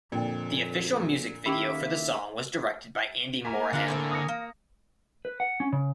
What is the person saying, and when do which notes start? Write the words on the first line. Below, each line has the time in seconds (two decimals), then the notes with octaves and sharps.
The official music video for the song was directed by Andy Morahan.
0.12 F2 A#2 D3 D5 G5
1.46 D#3 A#3 C#4 G4 E5 B5
3.45 A#3 G#5 A#5 B6
3.73 D3 F4 A#4 F#5 A#6 C#7
3.88 A2 C4 E5
4.11 D#6 A#6 C#7
4.28 A#3
5.25 B4
5.40 F#5
5.60 C#4
5.73 C#3